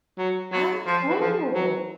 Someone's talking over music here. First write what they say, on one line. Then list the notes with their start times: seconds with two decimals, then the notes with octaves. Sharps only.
Oh, cool!
0.18 F#3
0.52 F#3
0.87 F3
1.09 E3
1.21 F3
1.55 F#3